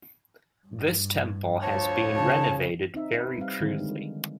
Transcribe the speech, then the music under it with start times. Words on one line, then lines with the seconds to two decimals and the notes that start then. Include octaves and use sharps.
This temple has been renovated very crudely.
0.67 G2
1.62 D2 F3 C#5 A5
2.16 C#3 A5
2.94 C4 D#4 E5
3.18 B4
3.37 G3 C4 F5
3.60 D3 D#3 F3 G3 G#3 C4
3.85 G#3